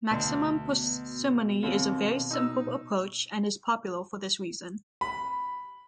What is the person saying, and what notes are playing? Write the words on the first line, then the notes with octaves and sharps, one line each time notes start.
Maximum parsimony is a very simple approach, and is popular for this reason.
D2 B2
D#2 C3
D#4 E6
B5